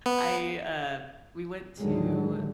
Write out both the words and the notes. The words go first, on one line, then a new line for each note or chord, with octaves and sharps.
I, uh we went to
B3
D#2 A2 D3 D#3 F#3 G#3